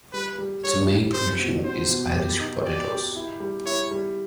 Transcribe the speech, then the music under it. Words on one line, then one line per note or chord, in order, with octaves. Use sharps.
Its main production is Irish potatoes.
G3 B4
G3
G3 C#5
G3
C4 C5
B2
B2 C5
B2
G4
D#4
G4 D5
G4
E4
G3
E4 C#5
G3